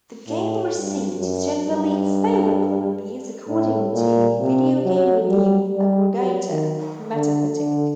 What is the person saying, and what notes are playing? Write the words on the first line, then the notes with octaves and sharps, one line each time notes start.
The game received "generally favorable" reviews according to video game review aggregator Metacritic.
A2
G2
F#2
G2
A2
A#2
C3
F#3
G3
G3
F#3
D#3
D3
D3